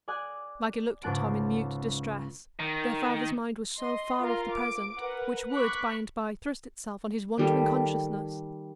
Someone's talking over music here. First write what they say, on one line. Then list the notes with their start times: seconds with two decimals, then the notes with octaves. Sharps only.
Maggie looked at Tom in mute distress, their father's mind was so far off the present, which would by-and-by thrust itself on his wandering consciousness!
0.08 D5 D#5 G#5 F#6
1.03 C#2 G#2 G#3 A5 F#6 D7
2.59 D#3
3.79 D#5 C6
4.20 F4 A#4 F5 A#5 C6
4.53 D6 D7
4.98 A#4 B4 F#5
5.52 B5 C#6 D6 F#6 B6
7.38 D#3 G3 A4